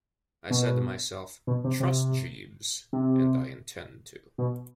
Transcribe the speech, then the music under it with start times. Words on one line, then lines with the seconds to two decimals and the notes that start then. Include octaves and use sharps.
I said to myself 'Trust Jeeves,' and I intend to.
0.50 B2
1.47 B2
1.64 C3
1.80 C3
2.93 C3
4.38 B2